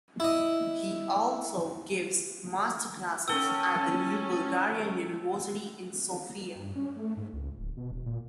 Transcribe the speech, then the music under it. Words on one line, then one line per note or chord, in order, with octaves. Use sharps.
He also gives master classes at the New Bulgarian University in Sofia.
E4 D#5
C#4 A4 G5 E6 G7
G2
C#4
A3
G#2
C#2
D1
B2
E1
A#2